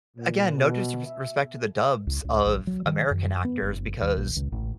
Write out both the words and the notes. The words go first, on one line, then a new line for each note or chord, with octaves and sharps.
again, no disrespect to the dubs of American actors because,
A#2
B2
E5
C#2
C#2
A#1
F#3
D#3
F#2
B3
F#1
D#2
A#1
C#2
A1